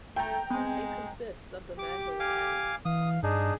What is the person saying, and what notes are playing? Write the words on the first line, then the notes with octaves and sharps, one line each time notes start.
It consists of the Magdalen Islands.
A3 G5 A#5
G#3 B3 C4
G4 D6
F5 G#5 D6
E3 F5 D#6
G2 D4 D#4 G#4